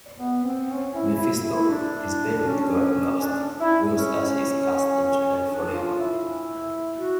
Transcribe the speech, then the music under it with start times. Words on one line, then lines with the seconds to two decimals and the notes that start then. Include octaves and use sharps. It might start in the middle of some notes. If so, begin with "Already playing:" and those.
Mephisto, his bet with God lost, wails as he is cast into hell forever.
0.19 B3
0.44 C4
0.70 C#4
0.94 E4
1.13 E4
1.32 E4
1.51 E4
1.70 D4
2.45 C#4
3.21 D4
3.59 E4
3.96 C#4
5.48 D4
5.72 F4
5.98 E4
6.97 F#4